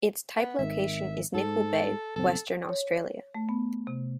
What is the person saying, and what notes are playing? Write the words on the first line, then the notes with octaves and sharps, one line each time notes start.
Its type location is Nicol Bay, Western Australia.
B3
G#1 D#3 E5
G#2 A4
F#1 B1 C4 A4
C#5
A3
B3
C3